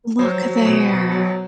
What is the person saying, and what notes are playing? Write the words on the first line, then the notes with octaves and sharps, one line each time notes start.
Look there.
F#3 C5
F#3
B2
B2
F#3